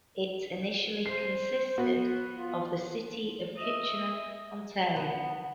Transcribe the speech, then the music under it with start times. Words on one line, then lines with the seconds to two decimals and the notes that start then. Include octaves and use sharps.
It initially consisted of the City of Kitchener, Ontario.
1.06 C5 C7
1.78 B3 F#4
2.35 F4
3.56 D#5 E5
4.96 B3